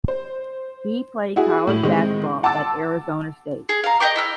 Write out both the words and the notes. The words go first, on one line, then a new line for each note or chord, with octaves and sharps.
He played college basketball at Arizona State.
C5
E4 F#4 G#4
A2 E4 F#7
D#3 G#3 C4
F#5 A5 C6 D6 E6 A6
G#4
F5 A#5
D#5 E5 G5 D6
E4 E6 F6